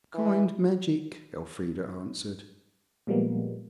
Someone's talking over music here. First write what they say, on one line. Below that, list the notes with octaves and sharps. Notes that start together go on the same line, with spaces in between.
"Kind magic," Elfrida answered.
E3
A#2 F3 G3 G#3 A#3 B3